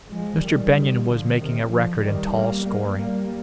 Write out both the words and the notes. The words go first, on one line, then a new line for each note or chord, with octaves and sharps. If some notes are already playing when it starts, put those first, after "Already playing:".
Mr. Benyon was making a record in tall scoring.
F3 G#3
D#3 G3
D3 F3
C3 D#3
D3 F3
D#3 G3
G3 A#3
G3 A#3
G3 A#3